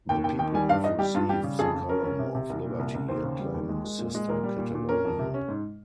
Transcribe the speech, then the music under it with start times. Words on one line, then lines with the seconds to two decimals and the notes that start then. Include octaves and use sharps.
The people have received the column of liberty acclaiming Sister Catalonia.
0.09 D#2 G5
0.24 D#2 G5
0.39 D#3 G5
0.54 G3 G#5
0.69 G2 F5
0.84 D#4 D#5
0.99 G3 G4
1.15 G2 F4
1.29 G3 G4
1.44 C#3
1.59 F2 G#4
1.74 F2
1.89 C#4 A#4
2.04 C#4
2.19 C3
2.35 C3
2.50 C2
2.65 A#2
2.79 C2
2.94 C2
3.08 D#2 C5
3.24 C#3
3.39 G3
3.54 D#2
3.69 G#3
3.84 G#3
3.98 A#2
4.15 G#3
4.29 A#2 A#4
4.44 G3
4.58 A#2
4.74 A#2
4.89 C#4 A#4
5.04 F2
5.19 C3
5.34 C#4
5.48 G#2